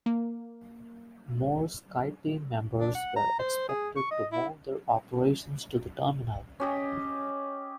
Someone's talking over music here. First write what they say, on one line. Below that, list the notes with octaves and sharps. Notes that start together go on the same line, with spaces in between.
More SkyTeam members were expected to move their operations to the terminal.
A#3
D4
F#5
A#5
C5
G#4
C#6
D#5
E4
C#4 G4 D#5